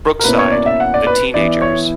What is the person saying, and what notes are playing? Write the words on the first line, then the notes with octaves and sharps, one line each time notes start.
Brookside: The Teenagers.
A#4
B2 A#3 C#4 E4 B4
C#5
D5
E5
F#5
D5
B4
E3 B3 E4 D5
C#5